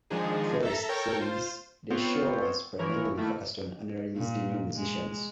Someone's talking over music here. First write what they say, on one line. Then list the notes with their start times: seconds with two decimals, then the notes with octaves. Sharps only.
Forrest says, The show was primarily focused on unreleased new musicians.
0.10 D#3 F3 G#3 D4 D#4 G#4
0.63 A4 E5 A#5
0.89 A4 A#4 C#5 G5 C#6
1.20 F4 C5
1.90 B3 C4 F4 C5 C#5
2.79 E3 F3 E4 A#4 C#5
3.17 D#3 A3 A#3 E4
4.16 A#2
4.76 G#3